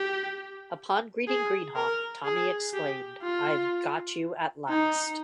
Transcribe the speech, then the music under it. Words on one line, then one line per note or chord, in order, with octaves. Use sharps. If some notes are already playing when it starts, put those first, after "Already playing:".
Upon greeting Greenhoff, Tommy exclaimed, I've got you at last.
Already playing: G4
G#4
A#4
G#4
G4
F4
D#4